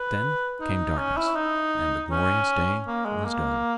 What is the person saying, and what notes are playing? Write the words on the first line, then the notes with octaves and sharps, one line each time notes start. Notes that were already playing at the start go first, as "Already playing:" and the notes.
Then came darkness, and the glorious day was done.
Already playing: B4
D#4
C#4
E4
D#4
C#4
A#3
G#3
A#3